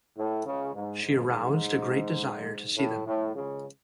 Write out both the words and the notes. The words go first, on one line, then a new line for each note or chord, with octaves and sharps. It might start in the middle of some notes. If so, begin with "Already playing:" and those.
She aroused a great desire to see them.
A2
C#2 C#3
G#2
G#2
A2
A2
C#2 C#3